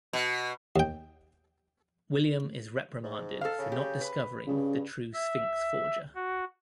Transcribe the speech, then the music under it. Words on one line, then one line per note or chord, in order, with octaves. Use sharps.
William is reprimanded for not discovering the true Sphinx forger.
B2
D#2 G5
G#2
A4 F5
C#3
G4
B4
G2 C#3
E5
F#4